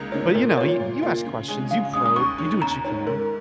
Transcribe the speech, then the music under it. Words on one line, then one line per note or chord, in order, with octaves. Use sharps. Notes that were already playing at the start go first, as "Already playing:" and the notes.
But, you know, you you you you ask questions, you probe, you do what you can.
Already playing: C#2 C#3 A#3 D#4 A#4
C#3 A#3 D#4 A#4 C#5
A#2 A#4
A#3 F4 C#5
A#2
A#3 F4
C#3
G#3 C#4 G#4
C#3 F5
G#3 C#4 G#4 D#6
D#6
D#2 C#6
D#3 C#4
D#2 A#5
D#3 C#4 C#5
G#2 A#4